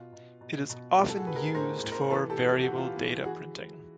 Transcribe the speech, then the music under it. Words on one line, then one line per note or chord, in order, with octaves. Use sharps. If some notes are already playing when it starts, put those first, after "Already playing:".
It is often used for Variable Data Printing.
Already playing: B2 F4
B2
B2
B2
A2 F4 G4
A4
F#4 G#4
A2 B4
G#4 A#4
A2 A#4 C5
A2
A#4 C5
E3 A4 B4
G4 A4
E3
G4
F#4
E3
F4 G4
E3
E3 F#4 G#4